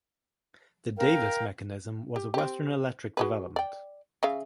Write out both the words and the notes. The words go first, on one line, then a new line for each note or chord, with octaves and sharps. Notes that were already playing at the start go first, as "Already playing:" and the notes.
The Davis mechanism was a Western Electric development.
A#4 F5 G5
G4
C4 G4
F#4 G#4 B4
D5 G5
C#3 E5 F5